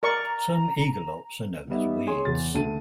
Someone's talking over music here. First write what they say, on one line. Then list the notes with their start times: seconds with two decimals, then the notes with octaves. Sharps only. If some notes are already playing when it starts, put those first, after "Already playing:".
Some "Aegilops" are known as weeds.
0.03 A#4 D5 A#5 C#6
1.70 G3 B3 D#4 E5
2.07 G#4 C#5 G#5 C6
2.25 E2 A6
2.55 D2 D3 A4 A5 D#7